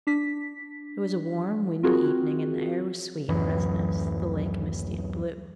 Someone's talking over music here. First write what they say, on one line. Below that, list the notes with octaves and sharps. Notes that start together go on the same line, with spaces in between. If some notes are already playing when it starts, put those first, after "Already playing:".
It was a warm, windy evening and the air was sweet and resinous, the lake misty and blue.
D4 B6
C4 F4 F#4 G#4 A#4
D1 F#2 E3